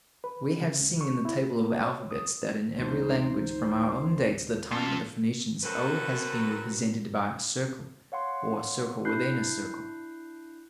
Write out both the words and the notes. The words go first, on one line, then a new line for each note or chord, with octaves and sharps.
We have seen in the table of alphabets that in every language, from our own day to the time of the Phoenicians, o has been represented by a circle or a circle within a circle.
B4
C#3
C#2
C#6
E4
A#2
A#3
C#5
D#6
D2 G#2 E3 D#4 C5
C#4 F4 A4
F#2 F#3 C4 F#4 A4 B4
C#5 F5 F#5 C6
D4 E4 F#6 G6 C7